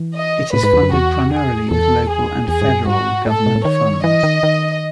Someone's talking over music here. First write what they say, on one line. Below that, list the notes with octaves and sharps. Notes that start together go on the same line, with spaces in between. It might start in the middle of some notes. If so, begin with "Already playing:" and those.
It is funded primarily with local and federal government funds.
Already playing: E3
D#5
A2 B4
G#2
E2
F#2
E2 F#4
G#4
E2 A4
G#4
E2 G#4
G#2
F#2
G#2 F#4
A2 A4
B2
A2
D#3 C#5
E3 D#5
D#3
D#3